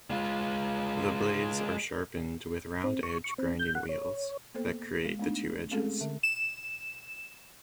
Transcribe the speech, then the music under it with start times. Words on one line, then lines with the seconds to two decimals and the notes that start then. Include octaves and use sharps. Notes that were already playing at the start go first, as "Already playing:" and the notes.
The blades are sharpened with round-edged grinding wheels that create the two edges.
0.10 G#3 F4
2.84 C4
3.03 C#6
3.24 C#6
3.38 C4
3.59 G6
3.75 F#5
3.89 C#5
4.55 A#3 B3 A4 C5
5.05 G#3
5.19 A3 B3 D4 D#4
5.71 G#3 A3 C4 C#4 G#4 A4
6.01 D3 E5
6.23 E7